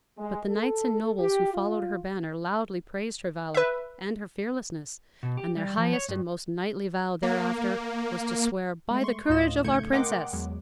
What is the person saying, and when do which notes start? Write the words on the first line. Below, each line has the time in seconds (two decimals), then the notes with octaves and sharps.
But the knights and nobles who followed her banner loudly praised her valor and her fearlessness, and their highest and most knightly vow thereafter was to swear "By the courage of our Princess."
0.18 G#3
0.49 A4
1.19 G4
1.54 F4
3.54 B4 E5
5.23 B2
5.37 G4
5.57 G3
5.77 F3
5.93 C#5
6.09 G2
7.23 A#3
8.91 G#3 A3
9.04 C6 C#6
9.29 D2 A2 F4 D#5 E7
9.64 B1 C#3 A3 G6 G#6 C#7
9.92 A#4 D#5 F#5 G5 C6 D6
10.33 E2 F#3 G#3